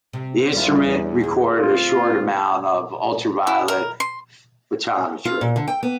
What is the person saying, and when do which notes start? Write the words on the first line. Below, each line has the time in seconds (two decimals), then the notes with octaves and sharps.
The instrument recorded a short amount of ultraviolet photometry.
0.13 C3
0.53 A#1 G3 D4 E4 F4
0.84 E2
1.21 D2 G#4
1.59 C4 F4
3.47 E4
3.68 A#4
4.00 C6
5.25 F4
5.41 A#2
5.56 D3
5.68 G5
5.83 B3